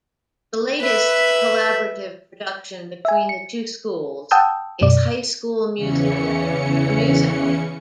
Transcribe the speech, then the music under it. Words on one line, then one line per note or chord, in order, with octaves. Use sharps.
The latest collaborative production between the two schools is High School Musical: The Musical!
B4 E5
E5 G#5
C#7
F#5 G5 A5 D#6 E6 G6
F#2 B2 D5
E2 C#3 E3 C#4 C#7